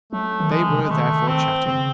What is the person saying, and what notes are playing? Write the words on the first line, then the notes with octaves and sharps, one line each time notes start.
They were therefore chatting.
F#3 A3
D#3
E3 G#3
C3
C#3 G#3
D#3 A3
C4
C#3 C4